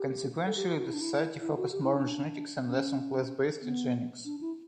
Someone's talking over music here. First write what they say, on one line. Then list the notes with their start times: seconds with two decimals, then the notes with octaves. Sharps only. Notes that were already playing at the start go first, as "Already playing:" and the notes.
Consequentially, the society focused more on genetics and less on class-based eugenics.
Already playing: G4
0.46 A4
0.57 G4
0.67 F#4
0.78 F#4
0.85 E4
0.93 D4
1.01 E4
1.41 E4
1.57 F#4
1.72 G4
1.83 E4
1.93 D4
2.67 C#4
3.62 B3
4.25 D4
4.41 E4